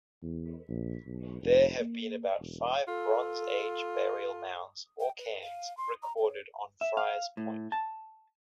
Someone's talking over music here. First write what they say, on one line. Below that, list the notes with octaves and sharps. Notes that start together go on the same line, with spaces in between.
There have been five Bronze Age burial mounds, or cairns, recorded on Friars Point.
E2
A#1
B1
F1
A#3
E1
F4 A4
G5
B4
F5
C6
A#5
C#5
E5
F5
A2
A5